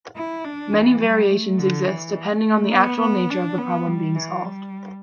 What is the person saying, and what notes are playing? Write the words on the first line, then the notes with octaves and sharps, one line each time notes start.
Many variations exist depending on the actual nature of the problem being solved.
E4
D4
E3
G3
A3
D3
E3
A3
B3
B3
D4
B3
G3
E3
G3